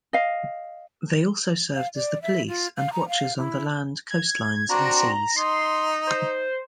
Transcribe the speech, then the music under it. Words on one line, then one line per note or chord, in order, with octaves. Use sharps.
They also served as the police and watchers on the land, coastlines and seas.
D#5 F5
F5
D5
E5
F4
F5
A#5
F5
E4
G#6
C4 D4 F#4 A#5
D#4 C6
C5